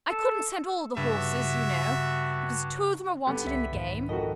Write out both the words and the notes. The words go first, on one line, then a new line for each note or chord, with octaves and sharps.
'I couldn't send all the horses, you know, because two of them are wanted in the game.
A4
G2 C#3 F#4 E5
G2 D3 B3 G4
C2 E5 B6
F2 G#2 D#3
F2 D#3 F#4 A4 A#4 D#5